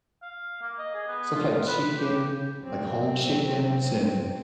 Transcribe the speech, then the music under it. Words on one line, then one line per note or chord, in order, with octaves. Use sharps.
stuff like chicken, like whole chickens and
F5
A#3
D#5
G#4
B3
F4
B4
G4
F#3 C4